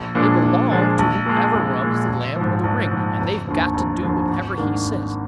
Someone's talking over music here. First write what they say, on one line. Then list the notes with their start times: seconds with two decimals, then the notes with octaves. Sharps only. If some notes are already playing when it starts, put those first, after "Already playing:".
They belong to whoever rubs the lamp or the ring, and they've got to do whatever he says.
Already playing: A#1
0.15 A#2 F3 G#3 D4
0.43 A#1
0.71 A#2 F3 G#3 D4
0.99 A#1
1.26 A#2 G#3
1.53 A#1
1.82 A#2 G#3
2.08 A#1
2.36 F3
2.41 G#2
2.64 A#1
2.91 G#2 F3
3.19 F1
3.47 D#2 D3 F3
3.74 F1
4.02 D#2 D3 F3
4.29 G#1
4.58 G#2 D#3 A#3 D4
4.85 G#1